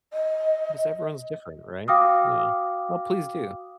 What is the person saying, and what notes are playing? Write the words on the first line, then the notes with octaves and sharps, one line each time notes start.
'Cause everyone's different, right? Yeah. Well, please do.
D#5
F#4 F5 G5 D6 D#6 F6